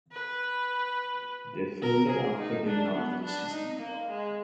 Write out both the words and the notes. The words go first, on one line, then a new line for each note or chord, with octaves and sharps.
They folded after the inaugural season.
B4
A#4
G#4
D#4
D4
B3
D4
D#4
A#3
G#3